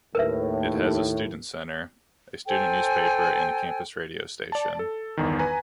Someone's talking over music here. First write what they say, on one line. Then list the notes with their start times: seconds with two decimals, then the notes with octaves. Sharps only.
It has a student centre, a student newspaper and a campus radio station.
0.15 D#2 A2 A#4 B4 E5
2.47 A4 C5 G5 G#5
4.52 D5 A5
4.79 A4
5.17 G1 E2 D#3
5.39 B4 G#5 A#5